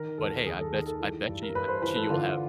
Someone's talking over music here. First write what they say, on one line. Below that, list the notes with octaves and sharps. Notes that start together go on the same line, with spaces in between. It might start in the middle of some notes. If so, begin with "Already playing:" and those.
But hey, I bet I bet you I bet you you'll have
Already playing: D#3 A#4
D#2 A4
D#2 G#4
A4
D#3 G#4
A4
E3
G2
A#4
G2 B4
C5
E3 B4
A4
D3 F4